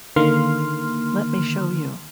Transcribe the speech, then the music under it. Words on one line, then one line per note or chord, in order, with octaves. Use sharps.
Let me show you.
D3 D#3 A#3 C6 F6